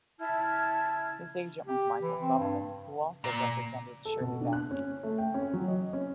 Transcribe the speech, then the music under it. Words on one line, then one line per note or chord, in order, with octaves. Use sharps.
His agent was Michael Sullivan, who also represented Shirley Bassey.
E4 A5 F6 G#6
G4
E3
C4
G2
A#2
A4
B2
D4
F#6
C#4
A3
G5
C#4
F#3
D#5
C#4